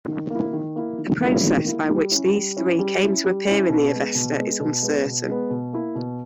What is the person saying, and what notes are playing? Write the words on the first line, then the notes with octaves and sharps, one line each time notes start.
The process by which these three came to appear in the Avesta is uncertain.
D#3
A#3 E4
D#3
A#3 E4
D#3
A#3 E4
D#3
A#3 E4
G3
C#4 E4
G3
C#4 E4
G3
C#4 E4
G3
C#4 E4
B2
G#3 B3
B2
G#3 B3
B2
G#3 B3
B2
G#3 B3
B2
A#3 E4
B2